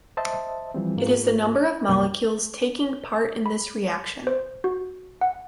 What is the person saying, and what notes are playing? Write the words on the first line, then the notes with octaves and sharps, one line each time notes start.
It is the number of molecules taking part in this reaction.
C5 D#5 E5 A5
E3 F3 G3 C4
G#2 A#3 F4 G#4
C2 F#2 A#3 C#5
B5
C5
F#4
F#5